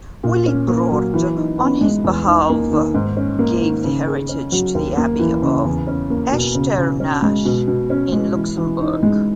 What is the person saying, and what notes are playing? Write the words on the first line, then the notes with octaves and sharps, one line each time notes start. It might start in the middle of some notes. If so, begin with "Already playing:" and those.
Wilibrord on his behalve gave the heritage to the Abbey of Echternach in Luxembourg.
A#2
C#4
A#3
F#3
E3
D#4
B3
G#3
E2
D#4
A#3
D#3
G#2
C#4
A#3
D#3
C#3
G#4
C#4
F#3
D#2
A#3
E3
C#3
E2
C#4
A#3
B2
C#3
C#3
C#4
G#3
B2
B2
C#4
G#3
E3
E3
D#4
G#3